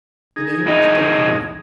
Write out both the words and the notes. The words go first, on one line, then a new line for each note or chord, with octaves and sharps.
The name has died out.
D#4 G#4
F2 E4 D#5